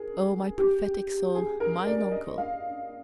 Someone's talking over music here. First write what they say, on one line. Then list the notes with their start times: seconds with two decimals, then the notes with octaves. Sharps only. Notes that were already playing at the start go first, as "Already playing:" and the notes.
"Oh, my prophetic soul, mine uncle."
Already playing: G#4 A#4
0.58 G4
1.35 G#4
1.60 A#4
1.86 D5
2.11 D#5
2.38 F5